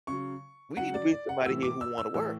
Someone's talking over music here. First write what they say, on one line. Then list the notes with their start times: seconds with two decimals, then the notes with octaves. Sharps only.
We need to bring somebody here who wanna work.
0.07 C#3 F#3 C#6
0.77 C#3 F#3 F#5
0.94 D5
1.11 D5
1.29 F#5
1.45 A2 E3 E6
1.63 D6
1.81 E6
1.98 E6
2.14 A2 E3 E6